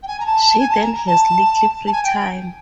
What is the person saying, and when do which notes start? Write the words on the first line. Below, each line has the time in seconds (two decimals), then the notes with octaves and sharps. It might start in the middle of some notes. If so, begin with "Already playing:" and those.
She then has little free time.
0.02 G5
0.07 G#5
0.19 A#5
0.26 A5
0.58 G#5
0.70 A5
0.81 A#5
0.93 A#5
1.06 A5
1.86 A5
1.92 G#5
2.03 G5